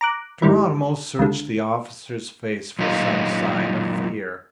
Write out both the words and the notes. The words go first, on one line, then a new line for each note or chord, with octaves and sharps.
Geronimo searched the officer's face for some sign of fear.
A#5 D6 F#6
G#2 D#3 G3 E4
C#2 D3
F#2 A#2 D#4 F4